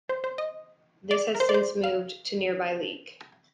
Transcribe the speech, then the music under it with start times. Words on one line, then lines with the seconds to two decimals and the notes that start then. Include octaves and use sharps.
This has since moved to nearby Leek.
0.09 C5
0.24 C5
0.38 D#5
1.11 D5
1.35 A#4
1.40 C5
1.49 D5
1.54 C5
1.84 F5